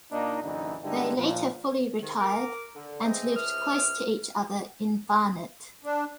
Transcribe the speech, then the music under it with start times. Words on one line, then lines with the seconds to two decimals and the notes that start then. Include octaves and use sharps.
They later fully retired, and lived close to each other in Barnet.
0.12 A#2 A#3 D4 D#4
0.43 A#1 F#2 D3 E3 D#4
0.83 G2 D3 G#3 D#4 E4 G4
1.17 A#2 F3
2.02 D#2 G#2 D#3
2.20 A#4 A#5 D6
2.75 D3
3.03 E3 C4 E4 G#4 C5 D#5
3.35 C#2 A3 C5 D#6 F6
5.84 D4